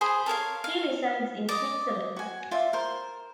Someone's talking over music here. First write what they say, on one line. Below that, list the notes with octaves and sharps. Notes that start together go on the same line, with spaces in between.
He resides in Switzerland.
G#4 C5 B5
A4 A#4 C#5 F5
F5
D5 D#5
F#4 G#5
F4 D5 E5
A#4 C5